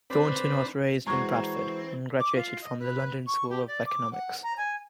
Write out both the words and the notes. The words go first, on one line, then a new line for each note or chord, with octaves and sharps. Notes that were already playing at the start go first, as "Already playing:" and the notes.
Thornton was raised in Bradford, and graduated from the London School of Economics.
C4 D4 B4
E3 G#3 C4 D4 F#4 A#5 C#6 G#6
D6
F4
D#5
B4
C#6
G4
D5
D6
F#5
A#5
G#5